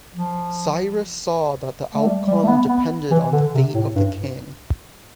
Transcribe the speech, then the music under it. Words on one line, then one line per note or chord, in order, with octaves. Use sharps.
Cyrus saw that the outcome depended on the fate of the king.
F3
A3
G3
G3
A3
B3
B3
E3
D3
C3
A2
G2